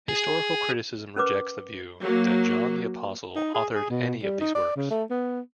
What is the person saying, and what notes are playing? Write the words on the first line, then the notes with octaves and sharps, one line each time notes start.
Historical criticism rejects the view that John the Apostle authored any of these works.
G#4
C#4 A#4 B4 D6
F#3 A#3
D#4
G#4
G#4
B2
G3
D#4
D5
C#3
A3
B3